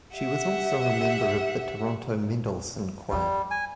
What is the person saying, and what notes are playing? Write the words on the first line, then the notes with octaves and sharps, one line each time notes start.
She was also a member of the Toronto Mendelssohn Choir.
G4 E5 F#5
G3
G#5